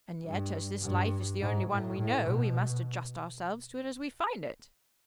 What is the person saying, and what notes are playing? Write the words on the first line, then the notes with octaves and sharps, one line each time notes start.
"And yet, as this life is the only one we know we must adjust ourselves to it as we find it."
G2
G2
G#2
A2
A2
B2